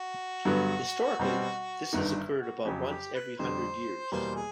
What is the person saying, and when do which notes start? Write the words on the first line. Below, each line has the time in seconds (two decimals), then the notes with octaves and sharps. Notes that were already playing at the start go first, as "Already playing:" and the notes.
Historically this has occurred about once every hundred years.
Already playing: F#4
0.45 G2 D3 F#3 B3
1.19 B2 G3 C4
1.92 G1 G2 D#3 E4
2.16 E4
2.41 F#4
2.65 F2 C#3 F#3 G4
2.90 G4
3.15 B4
3.38 F2 D3 G3 C5
4.12 E2 B2 G3 A#3 C5
4.36 G#4